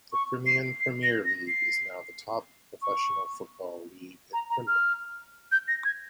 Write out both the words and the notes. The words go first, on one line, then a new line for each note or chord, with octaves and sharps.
The Crimean Premier League is now the top professional football league in Crimea.
C#6
C7
C7
A#6
A#6
C7
C#6
A#5
A#5
F6
G6
A#6
G#6